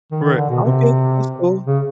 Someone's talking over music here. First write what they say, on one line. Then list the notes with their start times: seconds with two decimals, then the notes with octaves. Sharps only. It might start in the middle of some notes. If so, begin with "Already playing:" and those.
Right, okay, that's cool.
0.11 D#3
0.24 D#3
0.37 D3
0.49 B2
0.63 C3
1.66 C#3